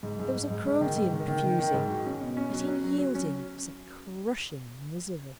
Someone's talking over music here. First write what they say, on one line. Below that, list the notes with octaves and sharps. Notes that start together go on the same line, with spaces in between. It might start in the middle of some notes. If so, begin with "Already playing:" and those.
There was a cruelty in refusing, but in yielding there was a crushing misery.
G#2
G#2
G#2
G#2
G#2
D#3
G#2
D#3
D#3
D#3
D#3
G#2
F#4
C#4
B2
C#4
F#3
F#3
F#3
F#3
C#4